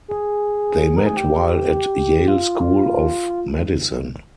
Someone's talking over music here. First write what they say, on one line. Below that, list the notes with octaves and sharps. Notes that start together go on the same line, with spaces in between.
They met while at Yale School of Medicine.
G#4
A#4
G#4
G4
F4